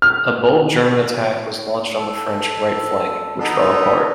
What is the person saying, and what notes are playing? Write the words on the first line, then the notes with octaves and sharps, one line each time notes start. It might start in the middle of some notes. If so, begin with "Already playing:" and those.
A bold German attack was launched on the French right flank, which fell apart.
F6
A4
B3 D#4 A4